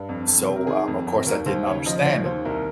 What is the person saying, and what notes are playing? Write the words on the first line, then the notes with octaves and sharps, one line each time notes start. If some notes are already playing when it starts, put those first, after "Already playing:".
So, um, of course I didn't understand it.
Already playing: G2
F2
F2
C3
A#4
D#3 G#4
F2
F2
D#2 A#4
D#2 C5
C#3 C#5
F3 D#5
D#2 C#5
D#2 C5
C2 A#4